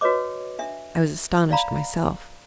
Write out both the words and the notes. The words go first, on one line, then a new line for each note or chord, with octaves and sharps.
I was astonished myself.
F#4 B4 C#5 D#5 D6
D4 E5
D5 F5 A#5 B5